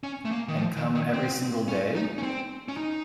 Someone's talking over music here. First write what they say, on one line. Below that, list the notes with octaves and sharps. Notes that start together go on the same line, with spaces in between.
And come every single day?
C#4
A3
A#3
D#3
F3
D#3
D#3
C4
C#4
D#4
C#4
C4
C#4
D#4